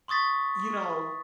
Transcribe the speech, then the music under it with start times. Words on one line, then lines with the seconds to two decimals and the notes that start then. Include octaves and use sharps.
you know,
0.08 C6 C#6 D#6 A6 B6